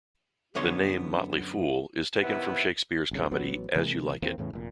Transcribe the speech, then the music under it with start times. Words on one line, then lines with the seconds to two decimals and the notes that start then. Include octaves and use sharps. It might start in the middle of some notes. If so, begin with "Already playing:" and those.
The name "Motley Fool" is taken from Shakespeare's comedy "As You Like It".
0.55 F#2 D3 B3 C#5 C6
2.22 D#2 C3 B3 E4
3.11 G1 C2 C#3
3.32 A1 F#3 B3
3.75 C3 E3 G#3 A#3
4.22 D#2 E3 A#3 C4
4.38 E2 A2 C#3 E3
4.53 F1 A#2